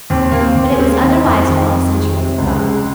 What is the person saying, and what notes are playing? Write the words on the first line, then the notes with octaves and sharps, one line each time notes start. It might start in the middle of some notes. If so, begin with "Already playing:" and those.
But it was otherwise twelve centuries ago.
D#2 C4
D#2 A#3
C4
D#2
C#4
G#3 C4
A#3
D#3 C4
F2
D#3
F2
G#3
C3
C#2
G#3